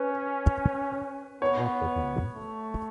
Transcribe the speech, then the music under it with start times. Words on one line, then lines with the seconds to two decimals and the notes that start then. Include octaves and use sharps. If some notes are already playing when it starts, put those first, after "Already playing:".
At the time.
Already playing: C#4 B4
1.41 B3 C#5
2.33 A3